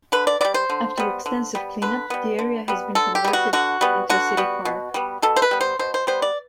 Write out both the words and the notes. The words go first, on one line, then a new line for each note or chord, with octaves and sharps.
After extensive cleanup, the area has been converted into a city park.
D3 B4
D5
G3 B3 D5
C5
D3
G3 B3
D3
G3 B3
D3 B4
G3 B3
D3
G3 B3
D3 A4
G4
G3 B3
F#4
D3 F#4
G3 B3
D3 F#4
G3 B3
B2
G3 B3
B2 A4
C5
B4
G3 B3
C5
B2 C5
C5
G3 B3 C5
D5